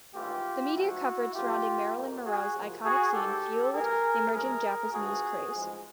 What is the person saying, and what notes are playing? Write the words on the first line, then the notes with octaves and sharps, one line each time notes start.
The media coverage surrounding Marilyn Monroe's iconic scene fueled the emerging Japanese craze.
G#1 G2 E3 A3 F4 G4
G#2 F3 A3 E4 F#4
A#1 A#2 F#3 A3 F4 G4
F2 C3 F3 A#3
F#4 G#4
C2 C3 F3 A#3
F#4 G#4
G#2 D#3 G#3 G4 A4
G2 E3 A3 G#4 A#4
G2 D3 F#3 A3 G#4 A#4
G2 D3 F3 A3 F#4 G#4
A1 G#2 F3 G#3